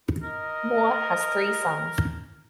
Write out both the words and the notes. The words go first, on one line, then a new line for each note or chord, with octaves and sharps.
Moore has three sons.
A#4 D#5